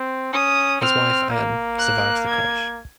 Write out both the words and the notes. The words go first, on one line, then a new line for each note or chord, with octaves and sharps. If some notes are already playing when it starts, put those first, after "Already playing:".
His wife Ann survived the crash.
Already playing: C4
C#4 D#6
C4 F6
A#3
F#6
G#6